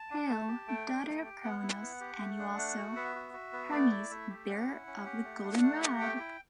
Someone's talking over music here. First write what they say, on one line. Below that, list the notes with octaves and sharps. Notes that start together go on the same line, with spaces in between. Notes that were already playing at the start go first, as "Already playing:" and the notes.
Hail, Daughter of Cronos, and you also, Hermes, bearer of the golden rod!
Already playing: A5
D4
A3
G4
A3 G5
D4
A3
G4
B3 F#5
E4
B3
G4
A3
D4
A3
F#4
B3 E5
F#4
F#4
B3
A3 D5
E4
A3 E5
G4
C#4 F#5
E4
C#4
G4
A3
D4
A3
G4
A3 G5
E4